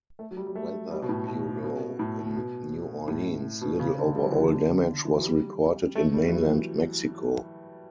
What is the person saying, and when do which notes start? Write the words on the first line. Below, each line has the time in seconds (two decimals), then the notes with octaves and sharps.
Weather Bureau in New Orleans, little overall damage was reported in mainland Mexico.
0.19 A3
0.31 F#3
0.37 G3
0.47 G3
0.55 A3
0.91 G3
1.02 B2
1.09 A2
1.28 B2
1.64 B2
1.99 A2
2.36 B2
3.08 A2
3.61 B2
3.79 C#3
3.98 D3
4.16 G3
4.24 F#3
4.32 E3
4.39 F#3
4.52 D3
5.05 E3
5.14 F#3
5.24 G3
5.95 A3
6.14 G3
6.28 E3
6.32 F#3